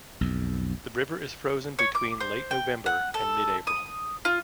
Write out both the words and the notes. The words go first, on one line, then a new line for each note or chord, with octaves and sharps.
The river is frozen between late November and mid April.
B1 F2
C#5
D6
C5
G5
F#5
A4
D#6
F4